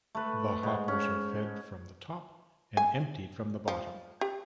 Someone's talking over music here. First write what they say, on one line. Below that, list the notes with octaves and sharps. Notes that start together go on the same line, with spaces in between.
The hoppers are fed from the top and emptied from the bottom.
A3 B4
G#2
C#4
G#5
F3
G4